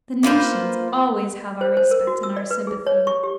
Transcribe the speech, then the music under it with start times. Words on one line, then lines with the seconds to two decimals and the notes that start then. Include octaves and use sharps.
The nations always have our respect and our sympathy.
0.23 A#3 F4 B4 C5
1.61 C5
1.77 C5
1.91 A#4
2.07 F#4
2.23 E6
2.36 D5
2.51 B4
2.67 G#4
2.87 C#5
3.07 C#6
3.23 G4